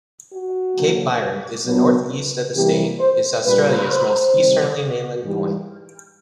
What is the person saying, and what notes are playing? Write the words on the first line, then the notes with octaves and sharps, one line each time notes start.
Cape Byron, in the north-east of the state, is Australia's most easterly mainland point.
F#4
D3 F#3 A#3
B2 F#3 B3 D4
C3 E3 G3 A#3 G4
C5
A#2 G3 A#3 D4 B4
C5
C3 D#3 G3
G#2 E3 G3